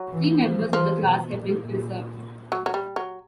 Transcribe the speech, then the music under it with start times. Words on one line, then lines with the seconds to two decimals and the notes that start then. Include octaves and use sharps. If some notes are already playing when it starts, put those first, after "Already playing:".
Three members of the class have been preserved.
Already playing: F#3
0.13 E3
0.42 F3
0.72 E3 F3
1.03 B2
1.32 A#2
1.62 A#2
2.52 F#3
2.66 F#3
2.74 G3
2.96 F#3